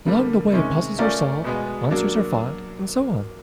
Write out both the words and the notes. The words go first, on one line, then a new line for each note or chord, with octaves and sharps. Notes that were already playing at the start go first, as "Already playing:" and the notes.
Along the way puzzles are solved, monsters are fought, and so on.
D3 G3 A#3
C3 D#3 G#3 C#4
A3 C#4 F4 A#4 D5
B2 G#3 B3
F#3 A#3 D4